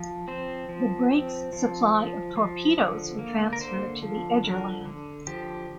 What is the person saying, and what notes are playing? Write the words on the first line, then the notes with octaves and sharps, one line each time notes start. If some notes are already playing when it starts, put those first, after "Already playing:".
The "Brake"s supply of torpedoes were transferred to the "Egerland".
Already playing: F3
C4 C5
F3
C4
F3
F3
F3
D3
A#3
A#4
D3 C5
F3
D3 A#4
D3
F3 G4